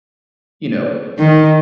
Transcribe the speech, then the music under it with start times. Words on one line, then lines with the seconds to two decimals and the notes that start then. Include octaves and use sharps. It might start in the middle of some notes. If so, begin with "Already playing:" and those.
you know,
1.19 D#3